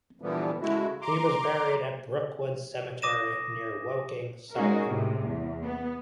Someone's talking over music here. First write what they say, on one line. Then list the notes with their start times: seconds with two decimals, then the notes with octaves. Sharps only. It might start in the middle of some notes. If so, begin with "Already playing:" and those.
He was buried at Brookwood Cemetery near Woking, Surrey.
0.22 A#2 D3 E3 F3 G3 B3
0.61 C#3 G#3 A3 E4 F#4
1.01 A#5 C6 D6
3.02 D6 D#6 A#6 D#7 E7
4.54 G#3 C#4 D#4 F#4 G#4 A#4
4.87 A2 C3 G#3
5.23 E2
5.64 B3